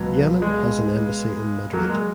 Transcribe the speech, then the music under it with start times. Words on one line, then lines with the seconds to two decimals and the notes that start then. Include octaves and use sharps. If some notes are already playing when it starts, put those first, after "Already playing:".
Yemen has an embassy in Madrid.
Already playing: C#2 B2 F#3
0.42 G#3
1.73 F#3 A#3
1.90 G#3